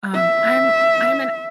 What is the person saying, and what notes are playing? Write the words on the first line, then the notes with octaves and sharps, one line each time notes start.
um I'm I'm an
E5